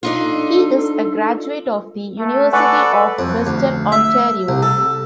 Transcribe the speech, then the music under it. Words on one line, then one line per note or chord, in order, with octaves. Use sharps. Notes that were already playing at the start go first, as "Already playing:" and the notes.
He is a graduate of the University of Western Ontario.
D4 D#4 F4 A4
A3
A4 B4 D5 F#5 G#5 C#6 E6
F2
D2
E5
C2
A4